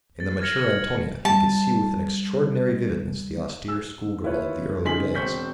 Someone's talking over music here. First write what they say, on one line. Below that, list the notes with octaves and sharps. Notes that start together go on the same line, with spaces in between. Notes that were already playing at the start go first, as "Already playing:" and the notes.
In the mature Antonia he could see with an extraordinary vividness the austere schoolgirl of the earlier days.
A6
F6 G#6 A#6 C#7 F#7
F#7
G3 A5
E6
E4 F4 B4 C#5
C#3 D#4 G#5 C6 B6 F#7
E1 C4 C5 C#6 G6 B6